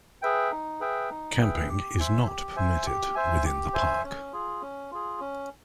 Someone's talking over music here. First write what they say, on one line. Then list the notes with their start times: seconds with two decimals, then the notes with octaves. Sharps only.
Camping is not permitted within the park.
0.22 G#4 B4 E5 G5
0.51 D#4
0.80 G#4 B4 E5 G5
1.10 D#4
1.39 G#4 B4 E5 G5
1.69 G4
1.98 C5 E5 G#5
2.27 G4
2.56 C5 E5 G#5
2.86 G4
3.15 C5 E5 G#5
3.45 G4
3.73 C5 E5 G#5
4.03 C#4
4.33 F4 G#4
4.62 C#4
4.91 F4 G#4
5.20 C#4